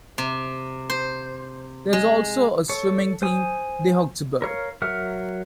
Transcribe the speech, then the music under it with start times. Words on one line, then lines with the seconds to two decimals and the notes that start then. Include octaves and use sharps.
There is also a swimming team: De Hokseberg.
0.18 C3
0.90 C5
1.93 G#3
2.69 A4 C#5
3.22 C5 G#5 D#6
4.42 A#4 C#5 F5
4.82 F#3 A#4 E5 F#5 F6